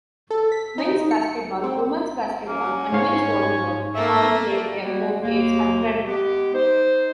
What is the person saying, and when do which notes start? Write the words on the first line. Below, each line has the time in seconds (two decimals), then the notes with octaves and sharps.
Men's basketball, women's basketball, and men's volleyball all play their home games at Bren.
0.30 A4
0.52 B6
0.78 D#4
1.11 C#7
1.64 C4
2.48 A#3 C#4
2.92 G#2 C#5 F5
3.95 A3 A#3 E5
4.82 G3 G#3 A#3 B3 F#4
5.21 D#2 B2 A#3
6.06 G#3 B3 G4
6.54 D#4 C5